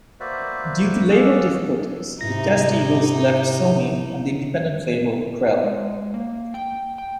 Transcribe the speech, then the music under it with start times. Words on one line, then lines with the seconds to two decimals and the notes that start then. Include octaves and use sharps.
Due to label difficulties, the Testeagles left Sony and the independent label, Krell.
0.20 A#3 F#4 B4 C5 D5 E5
1.10 G#4 A4 D5 F5 F#5 E6
2.21 G#2 C3 D#4 E4 A#6
5.64 G#3
6.14 A#3
6.54 G5
6.98 G5